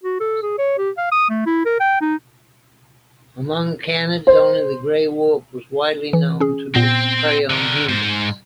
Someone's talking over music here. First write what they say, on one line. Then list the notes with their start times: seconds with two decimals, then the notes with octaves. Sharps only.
Among canids, only the gray wolf has widely been known to prey on humans.
0.04 F#4
0.20 A4
0.43 G#4
0.58 C#5
0.78 G4
0.98 F5
1.12 D#6
1.30 A3
1.46 E4
1.66 A#4
1.80 G5
2.01 D#4
4.27 C5
6.13 E3
6.40 C#4 G#4
6.75 A#2 B3 C4 A#6
7.50 D3 A#4
7.89 G#2 C5